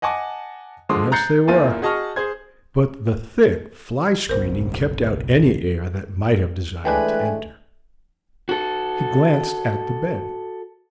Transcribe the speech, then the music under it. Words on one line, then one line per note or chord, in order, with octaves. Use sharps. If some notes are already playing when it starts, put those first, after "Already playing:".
Yes, they were; but the thick fly-screening kept out any air that might have desired to enter. He glanced at the bed.
D#5 F#5 G#5 A5 D6
D3 F3 G#3 C6 D6 D#6
A#5 F#6 G6 A6 C7 C#7
E2 A#3 E4 F4 A6 D#7
F#4 G#4 D#5 A5 C#6 F6
G#4 C5 G#6
F#1 B1 B2 A#4 C5
E3 G#3 A3 D4 B4 G5 G#5 F#6
F#4 A4